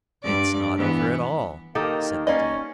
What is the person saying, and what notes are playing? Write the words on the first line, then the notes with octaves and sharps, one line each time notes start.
"It's not over at all," said the dean.
G2 D5
E3 B3
D#3 A#3 D#4 G4 A4
A#3 C#4 D5 D#5